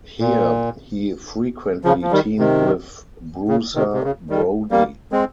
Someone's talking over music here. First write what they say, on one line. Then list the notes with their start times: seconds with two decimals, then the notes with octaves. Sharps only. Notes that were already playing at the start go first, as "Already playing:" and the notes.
Here, he frequently teamed with Bruiser Brody.
0.20 A#2
1.84 C#3 F3
2.02 F3
2.11 D#3 G3
2.39 C3 D#3
3.48 C#3
3.75 C3 D#3
3.93 C3
4.03 C#3
4.30 D#3 G3
4.71 G3 A#3
5.12 G#3 C4